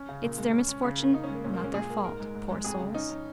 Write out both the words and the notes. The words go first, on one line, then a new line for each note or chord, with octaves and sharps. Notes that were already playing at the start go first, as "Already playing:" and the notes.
It's their misfortune not their fault, poor souls.
Already playing: C#4
C#3
A#2 A#4
G#3
C#4
C#4
C#3
A#3
C#3 D#4
C#4
G#3
A#3
A#2 C#4
A#3
G#3 C#4
A#2 G#4
A#3
G#2 A#4
G#3
G#2
G#3
F2 G#4
C#3
C#4 D#4
C#4